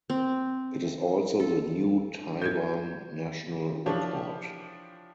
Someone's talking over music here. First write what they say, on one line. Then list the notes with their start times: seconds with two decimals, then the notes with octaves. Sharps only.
It is also the new Taiwan national record.
0.10 C4
1.40 A4
2.42 G6 G#6
3.86 E3 F3 D4 F4 G4 C#5